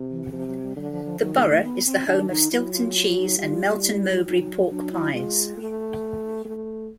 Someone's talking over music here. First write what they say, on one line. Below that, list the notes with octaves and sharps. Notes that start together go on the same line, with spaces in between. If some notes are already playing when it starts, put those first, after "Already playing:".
The borough is the home of Stilton Cheese and Melton Mowbray Pork Pies.
Already playing: C3
E3
E3
C3 F3
F#3
G3
D3 F#3
F3
F3
D#3 F#3
G#3
A3
B3
C4
D#3 D4
D#4
F#3 E4
F4
F4
D#4
G3 F4
F4
E4
F#3 D#4
F#3 D4
E4
G#3 F4
A3
A3